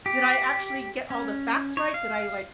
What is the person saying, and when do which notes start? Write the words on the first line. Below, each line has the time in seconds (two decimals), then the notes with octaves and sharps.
did I actually get all the facts right? Did I, like
0.06 G4
1.10 C#4
1.77 C#5
1.94 F5